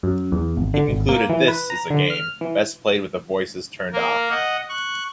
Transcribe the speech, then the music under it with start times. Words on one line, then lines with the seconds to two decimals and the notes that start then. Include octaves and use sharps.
He concluded This is a game best played with the voices turned off.
0.03 F#2
0.32 E2
0.57 G#1
0.74 D3
0.88 G#1
1.09 A#3
1.29 E3
1.48 B4
1.70 A#5
1.90 D3
2.10 F6
2.41 E3
3.93 A#3 A#4
4.30 D#5 F#5
4.69 C#6 F#6